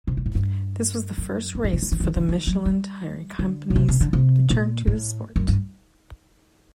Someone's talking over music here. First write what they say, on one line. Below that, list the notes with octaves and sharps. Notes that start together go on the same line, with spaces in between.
This was the first race for the Michelin tyre company's return to the sport.
C3
A#2
A2
G2
F#2
G2
A2
A#2
D3
D#3
D3
D#3
D3
D#3
F#3
G3
D3
A#2
C3
C3
D3
C3
A#2
A2
F#2
G2